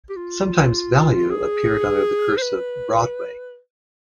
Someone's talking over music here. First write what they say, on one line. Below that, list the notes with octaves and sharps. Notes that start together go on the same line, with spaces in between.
Sometimes "Value" appeared under the cursive "Broadway".
G4
F4
G#4
C5
B4